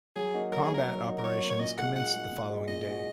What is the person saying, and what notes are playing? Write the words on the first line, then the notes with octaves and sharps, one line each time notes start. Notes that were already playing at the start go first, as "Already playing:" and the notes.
Combat operations commenced the following day.
F#3 G#4
A#3 D#4 F#4
F#3 A#4
G#4
A#3 D#4 F#4 A#4
F#3
A#3 D#4 F#4
A#4
F#3 C#5
A#3 D#4 F#4
C#5
A#2 D#5
G#3 D#4 F#4 F#5
A#2 F#5
G#3 D#4 F#4
A#2
G#3 D#4 F#4
A#2 D#5
G#3 D#4 F#4